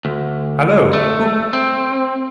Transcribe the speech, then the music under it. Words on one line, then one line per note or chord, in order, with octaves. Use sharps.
Hallo! Whoop!
D2
A3
C4